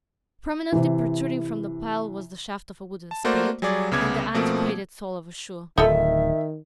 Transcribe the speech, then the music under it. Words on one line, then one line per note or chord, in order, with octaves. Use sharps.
Prominently protruding from the pile was the shaft of a wooden spade and the antiquated sole of a shoe.
C3 E3
A5
A3 A#3 F#4 C5 D5
F#3 G3 G#4 C#5 D5
C2 C#3 B3 D6 G#6
B2 F3 A3 A#3 C4
D1 D#3 D#4 F4 A4 E5